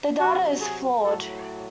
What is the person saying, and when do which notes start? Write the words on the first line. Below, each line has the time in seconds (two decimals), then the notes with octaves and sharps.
The data is flawed.
0.18 C3 F#3 F#4
0.60 G#4
1.03 A2 F#3 A4